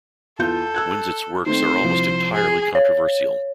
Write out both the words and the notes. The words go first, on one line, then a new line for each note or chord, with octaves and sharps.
Winzet's works are almost entirely controversial.
E2 F4 A4 G6
E6 F#6 G#6
D#3 A3 C4 C5
C2 F3
G#4
C#5